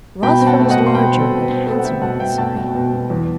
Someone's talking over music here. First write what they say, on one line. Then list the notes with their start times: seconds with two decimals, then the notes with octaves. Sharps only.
Rosville was larger and handsomer than Surrey.
0.23 B2 G5 B5
0.41 C4
0.47 F#5 A5
0.59 A3 G5
0.70 D#5 F#5
0.77 B2
0.86 C6
0.95 B2 G5 B5
1.13 C4
1.19 A4 C5
1.30 B2
1.42 B4
1.49 C4
1.66 A3 A4 C5
1.78 F#5
1.84 A3 E5 G5
2.02 B2 F#5 A5
2.20 B2 E5 G5
2.38 A3 F#5 A5
2.56 B2
2.75 B2
2.93 B2
3.10 E2